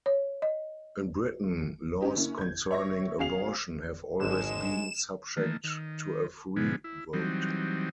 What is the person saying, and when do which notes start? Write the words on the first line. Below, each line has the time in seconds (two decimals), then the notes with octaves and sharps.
In Britain, laws concerning abortion have always been subject to a free vote.
0.06 C#5
0.42 D#5
2.01 C#4 D4 G4 D#5
2.16 D3 A#3 C#4 E4
2.38 G6 G#6
2.71 C#5 E5 C#6 A#6
3.19 B2 C#4 G#4 F5 C7 F7
4.20 G#1 F#2 D3 G#3 E7
5.37 D#3 E3 A3 A#3
5.64 D#3
6.56 G#2 B2 D3 F3 G#3 B3
6.84 E4
7.13 E3 F#3 G3 C4 D#4